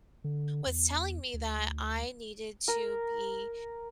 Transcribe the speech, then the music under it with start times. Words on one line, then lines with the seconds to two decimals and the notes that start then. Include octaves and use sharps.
was telling me that I needed to be
0.24 D3
0.67 E2
1.34 D2
2.68 A#4